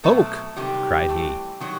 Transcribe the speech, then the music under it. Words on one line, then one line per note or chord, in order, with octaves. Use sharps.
"Folk?" cried he.
B2 F#3 A3 C4 A4
C3 D#3 F#3 G3 G4
E3 A3 C4
D#3 F#3 G3 F#4